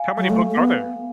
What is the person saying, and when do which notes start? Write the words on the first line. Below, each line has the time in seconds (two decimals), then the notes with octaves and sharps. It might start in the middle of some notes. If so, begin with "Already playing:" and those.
How many books are there?
Already playing: F5 G#5
0.18 F#3
0.30 A3
0.51 A3
0.56 B3